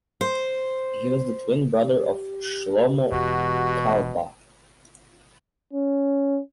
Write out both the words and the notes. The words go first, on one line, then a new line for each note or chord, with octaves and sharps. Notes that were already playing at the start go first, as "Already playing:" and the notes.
He was the twin brother of Shlomo Carlebach.
C5
G4
E1 E2 B2 F#4
C#4